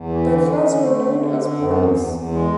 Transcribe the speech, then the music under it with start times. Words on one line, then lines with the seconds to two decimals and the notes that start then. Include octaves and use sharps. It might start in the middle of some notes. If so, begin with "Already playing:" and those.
The class were known as 'Barneys'.
Already playing: E2
0.09 E3
0.27 D3
0.45 C#4
0.65 D3
0.83 A3
1.01 D3
1.20 D3
1.39 D3
1.58 F#2
1.76 E2
1.94 E2
2.13 E2
2.31 G#3